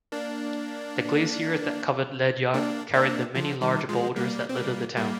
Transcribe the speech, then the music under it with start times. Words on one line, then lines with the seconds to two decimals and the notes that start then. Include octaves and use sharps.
The glaciers that covered Ledyard carried the many large boulders that litter the town.
0.12 A#3 D4
2.54 A#3 D4
2.94 A#3 D4
3.35 D3 F3
3.61 D#3 G3
3.89 F3 G#3
4.16 G3 A#3
4.49 C4
4.56 G3 A#3
4.96 G3 A#3